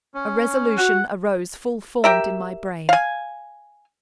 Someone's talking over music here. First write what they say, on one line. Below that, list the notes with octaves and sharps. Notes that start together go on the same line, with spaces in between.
A resolution arose full-formed in my brain.
C#4
F#4 F#5
G4 A#4 E5
F5 G#5